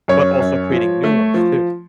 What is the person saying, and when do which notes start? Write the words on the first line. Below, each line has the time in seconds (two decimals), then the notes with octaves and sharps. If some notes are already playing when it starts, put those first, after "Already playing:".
but also creating new ones, too.
0.08 F#2 C#5
0.40 F#2
0.71 F3
1.04 A3
1.34 F3